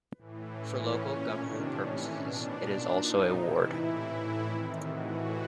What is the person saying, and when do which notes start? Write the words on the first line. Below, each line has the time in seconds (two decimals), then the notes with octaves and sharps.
For local government purposes, it is also a ward.
0.18 A2 E3
0.57 A2 E3 C#4
0.96 A#2
1.35 C3 D#3 D4
1.74 A2 E3 C#4
2.13 B2 D4
2.53 A#2 D4
2.91 A#2 D#4
3.30 C3 E3 E4
3.69 A2 E3 E4
4.09 A2 E3
4.48 C3 D#3
4.87 A2 E3 F#4